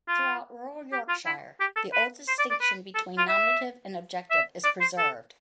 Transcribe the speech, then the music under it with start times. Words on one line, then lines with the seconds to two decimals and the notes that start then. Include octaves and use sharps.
Throughout rural Yorkshire, the old distinction between nominative and objective is preserved.
0.08 F4
0.93 G4
1.09 F4
1.26 E4
1.60 G4
1.76 A4
1.93 B4
2.28 C5
2.39 D5
2.50 D5
2.61 B4
2.95 A4
3.18 F4
3.29 E5
4.31 E5
4.64 D5
4.81 C5
4.98 A4